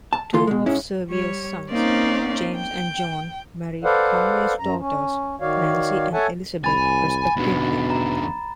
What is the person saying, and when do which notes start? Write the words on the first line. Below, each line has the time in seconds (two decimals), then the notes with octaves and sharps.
Two of Sevier's sons, James and John, married Conway's daughters, Nancy and Elizabeth, respectively.
0.13 A5
0.33 D2 E3 F4 A4 C6
0.47 B2 G#3
0.66 G#2 G#3 C#4 E4
1.08 G3 C#5
1.70 A#3 C4 C#4 D#4 D5 F5
2.55 G5
3.84 A4 B4 C5 D5 F5 F#5
4.59 F#2 A#5
4.79 C#4
5.41 D#3 F#4 C#5 D5 F5
6.13 A4 C#5 E5 F#5 G#5 A5
6.64 C2 G#5 B5 A6
7.37 E2 B2 D3
7.90 A#5